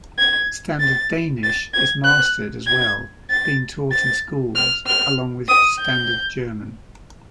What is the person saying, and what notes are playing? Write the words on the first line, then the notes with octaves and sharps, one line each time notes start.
Standard Danish is mastered as well, being taught in schools along with Standard German.
G#6
A6
A6
G#6
F#6
G#6
A6
A6
F6
F6
D#6
G6